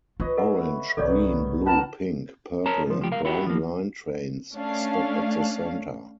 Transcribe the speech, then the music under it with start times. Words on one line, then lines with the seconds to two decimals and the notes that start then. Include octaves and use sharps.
Orange, Green, Blue, Pink, Purple and Brown Line trains stop at the center.
0.20 F4 B4 C#5 D#5
0.37 A4 D#5 E5 F#5
0.97 C2 G#2 D#3 F#3 B3 A4 C#5 D5
1.66 C#4 F4 A#4 B4 F#5 A5 A#5
2.66 A#4 C#5 A5 A#5
2.87 G#2 F3
2.99 E2 F3 G4
3.11 C2 A#4 F5
3.25 E4 F#4 G4
3.47 F3 A#3
4.55 A3 C#4 D4 F5